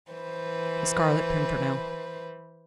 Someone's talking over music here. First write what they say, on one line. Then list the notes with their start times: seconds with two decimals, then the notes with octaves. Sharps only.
The Scarlet Pimpernel.
0.11 E3 B4 C5